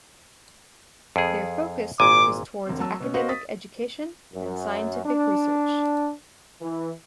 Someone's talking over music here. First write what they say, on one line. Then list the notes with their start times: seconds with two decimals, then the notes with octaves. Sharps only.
Their focus is towards academic education and scientific research.
1.16 F2 G#4
2.00 G#1 A#2 G#5 D6
2.66 E1 C4
2.80 F#3 A5 E6
3.00 B2 C#4
3.14 F#4 A#4 C5 D#5 F5 C#6
3.29 D#6 A6 B6
4.33 F#2
5.06 D4
6.62 E3